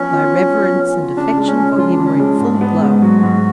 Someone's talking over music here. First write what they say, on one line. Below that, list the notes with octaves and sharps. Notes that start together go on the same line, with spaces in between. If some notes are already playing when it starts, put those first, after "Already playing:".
My reverence and affection for him were in full glow.
Already playing: F3 B3 C#4
F4
F3
B3
F3
F4
C#3 D4
G#3
C#4
C#3
F3 F4
D4
C#3
C#4
G#3 D4
G#2
B3
G#2
F#3 F#4
G#2